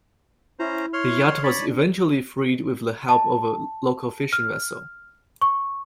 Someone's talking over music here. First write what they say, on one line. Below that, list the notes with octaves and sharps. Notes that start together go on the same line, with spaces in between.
The yacht was eventually freed with the help of a local fishing vessel.
C#4 E4 C5 A#5
C#5 C6 F6
D4 C#5 D5 B5
A5
F6
C#6